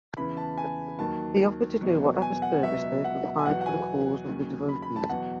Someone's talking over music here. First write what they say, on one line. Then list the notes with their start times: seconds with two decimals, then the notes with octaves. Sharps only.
He offered to do whatever services required for the cause of the devotees.
0.17 E2 C#3 E3 B5
0.37 A5
0.58 G#5
0.99 D#2 D#3 F#3 A5
1.81 E2 B2 F#3
2.22 G#5
2.42 F#5
2.63 C#2 B2 F#3 E5
3.04 F#5
3.39 G#5
3.46 E2 B2 F#3 F#5
3.61 F#5
3.66 G#5
4.28 D#2 C#3 F#3
4.69 B5
4.82 B5
4.96 A5
5.09 E2 B2 F#3 F#5